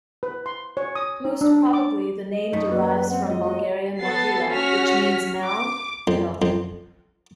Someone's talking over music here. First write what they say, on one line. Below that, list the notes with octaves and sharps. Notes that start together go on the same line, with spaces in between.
Most probably the name derives from Bulgarian "Mogila" which means "mound", "hill".
B4
C6
C#5
D#6
D#4
D4
D6
D#5
F#2 A3 D#4
F#3 A#3 F#4 B4
C4 F#5
G#3 F4 D#5
F#4
B3 A4 A6 C7
C#4 F#4 F6 B6
D6
F2
F2